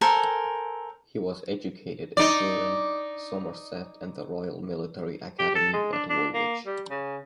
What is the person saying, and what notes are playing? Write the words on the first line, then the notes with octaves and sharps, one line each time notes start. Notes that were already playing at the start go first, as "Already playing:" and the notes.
He was educated in Bruton, Somerset and the Royal Military Academy at Woolwich.
A4 A#4 C5 G#5
D#4 D5
G4
A4
G#3
D4
D4
A#3
G3
C#3